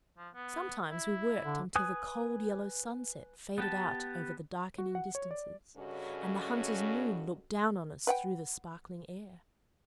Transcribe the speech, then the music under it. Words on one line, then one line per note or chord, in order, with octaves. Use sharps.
Sometimes we worked until the cold yellow sunsets faded out over the darkening distances, and the hunter's moon looked down on us through the sparkling air.
F3
B3
E4
D3
B4 G#5 D#6 F#6
B3 G4 A5
F#4
F#5
C#5
D5
G2 C#3 C#4 F#4 A4 D#5
B4 F#5 G5